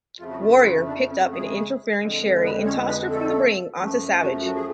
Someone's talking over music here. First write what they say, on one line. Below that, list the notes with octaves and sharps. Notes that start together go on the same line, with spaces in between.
Warrior picked up an interfering Sherri and tossed her from the ring onto Savage.
F2 C#3 F3 A3 F4
F#3 F#4
F3 F4
F3 F4
D3 D4
C#4
G#3 G#4
F2 D3 G#3
B3 B4
C#4 C#5
B3 B4
A3 A4
F#2 F3 A3
F#3 F#4
F#3 F#4
G#4